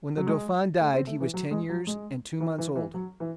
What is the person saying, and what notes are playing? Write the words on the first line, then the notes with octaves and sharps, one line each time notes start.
When the dauphin died he was ten years and two months old.
F#3
G#3
A3
C4
A3
E3
F#3
G#3
F#3
G#3
E3
E3
E3
F#3
E3